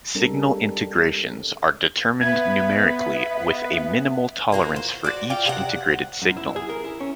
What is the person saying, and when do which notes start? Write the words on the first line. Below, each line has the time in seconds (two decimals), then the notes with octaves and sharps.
Signal integrations are determined numerically with a minimal tolerance for each integrated signal.
0.15 G3 G#3 C4 D4 A4 A#4
2.21 B3 B4 E5 G#6
4.52 A#3 F4 F#4
4.76 C5
5.04 F#4 D5
5.30 F4 D5 F5 G5
5.45 C3 G#4 F#5
6.22 F#2
6.37 E4
6.56 G#4
6.69 A#4
6.84 E4
7.00 C#4